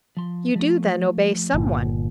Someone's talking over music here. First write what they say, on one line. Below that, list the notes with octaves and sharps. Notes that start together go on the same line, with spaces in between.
"You do, then, obey some one?"
F3 C6
F3 A3
G1 A#2